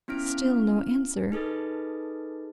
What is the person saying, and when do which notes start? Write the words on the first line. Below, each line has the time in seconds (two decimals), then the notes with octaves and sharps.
Still no answer.
0.08 B3 C#4 E4 F6 D7
1.32 D#4 G#4 A4 B4 A6